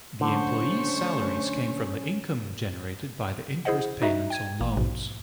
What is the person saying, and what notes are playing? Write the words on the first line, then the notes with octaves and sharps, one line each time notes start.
The employees' salaries came from the income generated by the interest payments on loans.
D3 F#3 A3 C#4 D4 C5 C#6
E4 G#4 C5 D#5 F#5
D#4 F#4 D#5 E5 A#5
G5 G#6 D#7
A1 A#3
A#1 G#2 B2